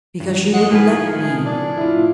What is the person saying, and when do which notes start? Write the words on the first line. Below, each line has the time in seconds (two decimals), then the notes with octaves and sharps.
"Because she wouldn't let me."
0.20 G2
0.54 G#3 F#5
0.71 A2 D#3 F3 G#4 B4
1.46 D4
1.78 E4 F4